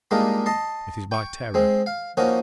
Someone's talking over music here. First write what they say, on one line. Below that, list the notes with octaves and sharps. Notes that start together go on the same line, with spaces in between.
It is by terror.
G3 G#3 A#3 D4 D#4 F4
D#5 A5 C6
G5 C#6
G#3 C4
F5
F3 A#3 C#4 D#4 F#4